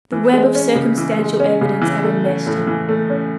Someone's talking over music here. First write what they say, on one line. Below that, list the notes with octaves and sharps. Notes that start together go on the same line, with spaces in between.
The web of circumstantial evidence had enmeshed him.
E3
G#3
C#4
C#3
E3
G#3
C#4
C#3
E3
A3
C#4
A2
E3
A3
C#4